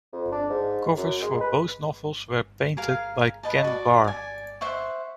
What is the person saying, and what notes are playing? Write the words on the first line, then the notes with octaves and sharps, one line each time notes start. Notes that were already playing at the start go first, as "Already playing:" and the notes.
Covers for both novels were painted by Ken Barr.
F2
D4
G#2
F#2
G#3
B4
G#4 A#4 F5
B4 D#5 A5
F#4 D5
D5 G#5
C5 E5 F#5 C#6